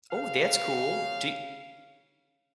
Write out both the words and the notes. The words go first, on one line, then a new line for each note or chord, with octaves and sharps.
Oh, that's cool. Do y
C#3 F5